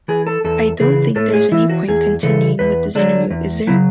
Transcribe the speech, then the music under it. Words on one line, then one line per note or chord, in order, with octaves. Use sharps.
I don't think there is any point continuing with this interview, is there?
E3 G#4
A4
E2 A4
C#3 E3 G#4
A2 A4
G#4
E3 E4
F#4
E2 G#4
C#3 E3 A4
E2 B4
D3 F#3 D4
E2
C#3 F#3 E4